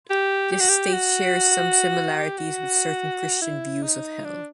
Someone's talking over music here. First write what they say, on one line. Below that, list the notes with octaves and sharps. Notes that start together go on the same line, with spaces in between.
This state shares some similarities with certain Christian views of hell.
G4
G4
F#4
G4
F#4
G4
F#4
E4
D#4
D4